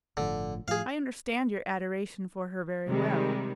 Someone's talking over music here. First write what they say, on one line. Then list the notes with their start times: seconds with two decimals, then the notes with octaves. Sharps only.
I understand your adoration for her very well.
0.17 G1 A2 D3 F3
0.68 A2 F3 G#4 F5
2.88 C3 D#3 G3 G#3